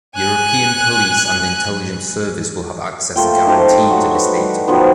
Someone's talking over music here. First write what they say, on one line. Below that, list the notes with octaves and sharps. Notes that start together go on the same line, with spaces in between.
European police and Intelligent Service will have access guaranteed to this data.
G#5 F#6
A3 A#3 F4 G5
D#4 G4 C5 A5
F#3 F#4
B4
G3
D#3 F3 F#3 B3